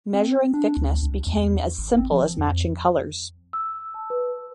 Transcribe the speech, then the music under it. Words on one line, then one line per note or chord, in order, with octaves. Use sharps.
Measuring thickness became as simple as matching colors.
C4
D4
D2
C#2
E2
G#1
C4
F3
F2
E6
A5
B4